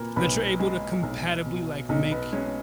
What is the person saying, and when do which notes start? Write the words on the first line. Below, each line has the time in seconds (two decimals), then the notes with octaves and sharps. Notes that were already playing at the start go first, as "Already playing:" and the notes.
that you're able to compatibly, like, make
Already playing: A#2 A#4 B4 A#5 B5
0.16 B1 B4 B5
0.60 G#3
1.03 B1
1.46 B2
1.89 B1 D#4 D#5
2.11 B3 B4
2.32 G#3 C#4 C#5